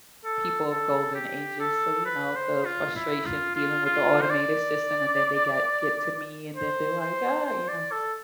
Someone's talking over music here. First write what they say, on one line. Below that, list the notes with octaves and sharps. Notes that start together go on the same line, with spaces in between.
People of golden ages, so, you know, the frustration dealing with the automated system and then they got get to me and then they're, like, "Ah," you know,
A4
A4
G4
A4
B4
C5
F4
E4
F4
F4
F4
C5
D5
C5
C5
C5
D5
A4